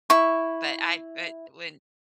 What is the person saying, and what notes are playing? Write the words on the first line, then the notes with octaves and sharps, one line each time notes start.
But I eh, when
E4 C#6